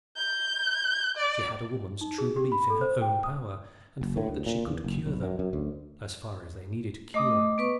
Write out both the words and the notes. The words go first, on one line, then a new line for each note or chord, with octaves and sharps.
She had a woman's true belief in her own power, and thought that she could cure them,--as far as they needed cure.
G6
D5
D#4
G#4
G4
B5
A4
C5
G5
D#6
F#1
A2
D2
A#2
E2
F#1
B1
F#2
F#2
D2
A3 D#5 D6 D#6
B3 B4 C#6